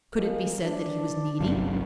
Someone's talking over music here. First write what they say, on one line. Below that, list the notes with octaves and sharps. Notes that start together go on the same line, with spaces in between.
Could it be said that he was needy?
F3 G#3 A#3
D4
G1 C2 F#2